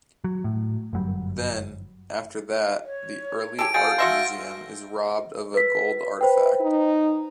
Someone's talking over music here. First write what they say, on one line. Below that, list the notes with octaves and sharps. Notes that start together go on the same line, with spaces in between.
Then, after that, the Early Art Museum is robbed of a gold artifact.
F#3
A2
G1 F#2 F#3 G3
C#5
G4 A4 G#5 D7
F#4 G#4 F5 G6 A6 D7
F#4 E5 C6 E6 F6 A#6
B4 B6
B4 C5 G5
D#4